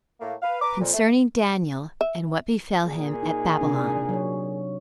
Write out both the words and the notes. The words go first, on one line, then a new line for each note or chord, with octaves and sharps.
Concerning Daniel And What Befell Him At Babylon.
A2 A3 A#3
B4 F5
B4 A#5 D6
F2 A#2
A3
E5
A#2 G#4
D#4
C3 D4
F#3 C#5